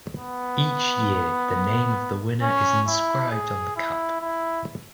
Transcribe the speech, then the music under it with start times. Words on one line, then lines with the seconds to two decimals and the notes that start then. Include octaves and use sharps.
Each year, the name of the winner is inscribed on the Cup.
0.17 B3
2.42 C#4
2.87 E4
3.31 G#4
3.76 E4
4.21 E4